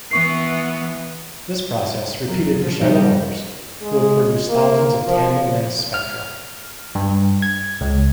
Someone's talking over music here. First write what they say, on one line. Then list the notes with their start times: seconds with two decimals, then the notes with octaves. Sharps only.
This process, repeated for several hours, will produce thousands of tandem mass spectra.
0.11 E3 B3 C#6 C7
2.28 F#2
2.62 F3
2.81 B2 E3 F3 G3 D4 D#4
3.82 G#3
4.49 A#3
5.07 F3
5.94 F6
6.95 G2
7.42 G#6
7.81 C#2